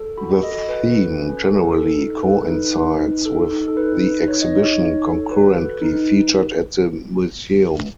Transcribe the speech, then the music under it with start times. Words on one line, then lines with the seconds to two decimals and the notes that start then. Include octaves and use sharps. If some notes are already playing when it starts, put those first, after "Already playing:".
The theme generally coincides with the exhibition concurrently featured at the museum.
Already playing: A4
0.18 F#4 B5
0.43 A4 D#5
0.68 F#4 B4
0.94 A4
1.20 C#4
1.46 A4
1.72 A4
1.97 D#4
2.23 A4 B4
2.49 D#4
2.74 D#4
3.00 D#4
3.26 A4
3.51 D#4
3.68 A4
3.77 D#4 B4
4.03 D#4
4.28 D#4 C#5
4.42 D#5
4.54 D#4 C#5
4.79 D#4
5.05 A4
5.31 F#4 B4
5.56 A4
5.82 D#4